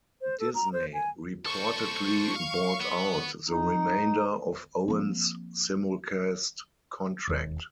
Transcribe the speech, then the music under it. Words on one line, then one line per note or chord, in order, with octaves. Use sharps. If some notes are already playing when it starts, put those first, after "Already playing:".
Disney reportedly bought out the remainder of Owens' simulcast contract.
C5
A4
A#5
C5
G#5
A4 C5 C#6
F5
B3
D#4
F3 A#3 C4
E1 D#2